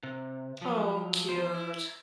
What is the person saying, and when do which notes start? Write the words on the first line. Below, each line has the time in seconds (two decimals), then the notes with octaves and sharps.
Oh, cute,
0.03 C3
0.62 F3 F#3
1.28 E2 C5
1.54 E4